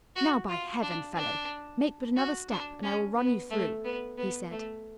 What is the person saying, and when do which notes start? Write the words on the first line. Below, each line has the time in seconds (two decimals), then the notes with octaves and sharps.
"Now, by heaven! fellow, make but another step and I will run you through," he said.
0.16 F#4
0.49 F4
0.82 D4
1.17 D4
2.17 F#4
2.51 D4
2.83 C#4
3.17 B3
3.51 A3
3.85 B3
4.18 B3
4.52 A3